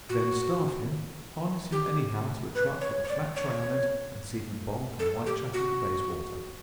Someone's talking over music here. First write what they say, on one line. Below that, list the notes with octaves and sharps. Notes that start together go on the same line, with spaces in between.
Then, starve him, harness him anyhow to a truck with a flat tray on it, and see him bowl from Whitechapel to Bayswater.
F#4
G4
B4
C#5
C#5
D5
C#5
A4
G4
F#4